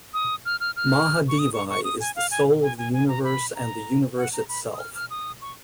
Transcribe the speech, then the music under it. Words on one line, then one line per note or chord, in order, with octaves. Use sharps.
Mahadevi is the soul of the universe and the universe itself.
D#6
F6
F6
F6
C#6
D#6
C#6
C#6
D#6
G#5
F5
G#5
G#5
G#5
G#5
A#5
B5
A#5
F#5
A#5
B5
D#6
F6
F6
D#6
C#6